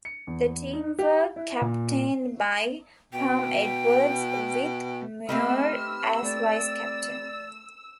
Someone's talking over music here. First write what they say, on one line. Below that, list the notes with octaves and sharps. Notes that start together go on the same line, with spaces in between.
The team were captained by Pam Edwards, with Muir as vice-captain.
C#7
E2
D#4
G4
E4
A#2
B2 G5
A3 C4 G4 B4 D#5 E5 E6 F6
A3 D5